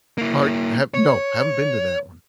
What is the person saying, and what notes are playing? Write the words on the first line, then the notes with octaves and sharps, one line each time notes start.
Part have No, haven’t been to that one.
A#3 E4
C#5